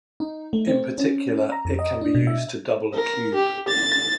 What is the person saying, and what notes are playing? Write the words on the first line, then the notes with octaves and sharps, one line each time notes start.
In particular, it can be used to double a cube.
D#4
A3
C4
C#4
A#5
F2
D#5
D4
B2
E5
A#4
G4
A6